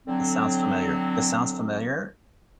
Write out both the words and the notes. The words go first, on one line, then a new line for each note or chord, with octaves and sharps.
This sounds familiar. This sounds familiar,
D3 F#3 C4